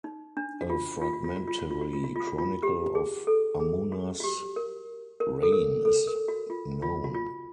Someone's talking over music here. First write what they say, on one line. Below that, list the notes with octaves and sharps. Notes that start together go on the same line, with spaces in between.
A fragmentary chronicle of Ammuna's reign is known.
D#4
D4
F#4
F4
F4
F#4
F4
F#4
F4
F#4
F4
F#4
F4
F#4
F4
F#4
F4
G4
G#4
A4
G#4
F#4
F#4
G4
A#4
A#4
A4
A#4
A4
A#4
F#4
F4
F4
F#4
F4